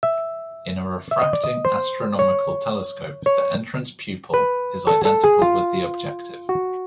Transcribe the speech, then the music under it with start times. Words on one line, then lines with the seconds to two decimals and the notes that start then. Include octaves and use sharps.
In a refracting astronomical telescope the entrance pupil is identical with the objective.
0.03 E5
1.11 E5
1.22 D#5
1.33 D5
1.44 D#5
1.65 C5
2.19 C#5
3.26 C#5
4.34 B4
4.87 A4
5.05 A4
5.24 G#4
5.42 F4
6.49 F#4